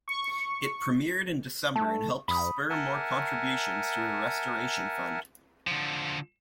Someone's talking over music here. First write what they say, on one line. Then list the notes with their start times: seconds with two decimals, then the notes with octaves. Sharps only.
It premiered in December and helped spur more contributions to her restoration fund.
0.08 C#6
1.76 A3 A5
2.28 F2 B5 D#6
2.70 A#4 E5 F#5 G#5 A5
5.67 D3 F3